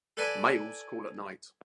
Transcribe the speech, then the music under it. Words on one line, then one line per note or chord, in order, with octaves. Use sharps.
Males call at night.
A4 B4 D5 G#5